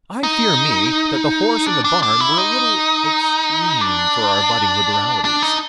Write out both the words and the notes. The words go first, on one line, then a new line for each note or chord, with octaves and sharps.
I fear me that the horse and the barn were a little extreme for our budding liberalities.
D#4
D4
D4
D4
E4
D#4
D4
D4
D#4